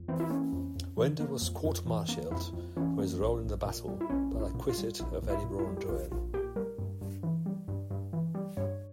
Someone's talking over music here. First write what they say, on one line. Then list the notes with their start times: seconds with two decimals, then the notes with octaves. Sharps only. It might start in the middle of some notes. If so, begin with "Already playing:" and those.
Winder was court-martialed for his role in the battle, but acquitted of any wrongdoing.
Already playing: F2
0.08 E3 C4
0.20 E4
0.30 A#3 C#4
0.52 F2
0.76 F2
0.98 E3
1.20 A#3
1.42 F2
1.65 F2
1.86 E3
2.09 A#3
2.31 F2 E4
2.53 F2
2.77 E3 C#4
2.98 A#3
3.21 A#1
3.44 A#1
3.65 A#2
3.88 G3
4.01 E4
4.10 A#1 C#4
4.32 A#1
4.40 E4
4.54 A#2
4.69 F4
4.78 G3
5.00 A#1 E4
5.22 A#1
5.30 E4
5.44 A#2
5.59 E4
5.67 G3
5.77 G4
5.89 A#1 F4
6.12 A#1 F4
6.33 A#2 G4
6.56 G3 A#4
6.78 G2
7.01 G2
7.23 E3
7.46 G3
7.68 G2
7.91 G2
8.13 E3
8.35 G3
8.57 G2 C#5